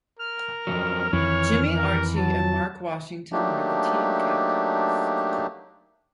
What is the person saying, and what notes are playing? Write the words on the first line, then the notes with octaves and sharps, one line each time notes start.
Jimmy Archie and Marc Washington were the team captains.
A#4 F6
F2 G#2 F#3
F2 D#3 E3 C#5
A#4
F#3 A5
F#3 A3 A#3 D4 D#4 G4